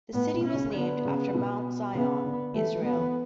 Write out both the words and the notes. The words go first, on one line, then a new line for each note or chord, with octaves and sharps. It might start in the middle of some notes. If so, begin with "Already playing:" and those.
The city was named after Mount Zion, Israel.
A2 B3
B2
C#4
C#3
D3 B3
C#3
B2
C#3 B3
D3
E3 A3
F#3
B3
E3